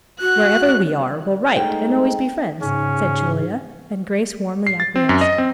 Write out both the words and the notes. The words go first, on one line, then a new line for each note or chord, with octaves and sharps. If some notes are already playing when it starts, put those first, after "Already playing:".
"Wherever we are we'll write and always be friends," said Julia, and Grace warmly acquiesced.
F#4 F#6
G#3 A3 D#4 G5
G#2 C#3 C#4
C7
A6
C4
F#2
D#5
C4